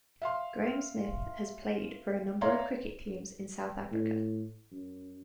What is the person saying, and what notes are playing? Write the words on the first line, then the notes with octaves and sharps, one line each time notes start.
Graeme Smith has played for a number of cricket teams in South Africa.
E5 F5 C6
C#5 D5 E5 F5 A#5 C6
A2
F#2